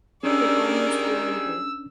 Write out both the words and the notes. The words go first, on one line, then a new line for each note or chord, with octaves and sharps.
It almost ruined me.
D#3 G3 C#4 D4 G#4 A#4 D5 E6